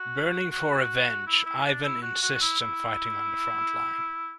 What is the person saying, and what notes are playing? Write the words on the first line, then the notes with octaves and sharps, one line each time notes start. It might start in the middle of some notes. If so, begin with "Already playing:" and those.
Burning for revenge, Ivan insists on fighting on the front line.
Already playing: F#4
F#4
E4
E4
D4
E4
F#4
F#4
F#4
E4
E4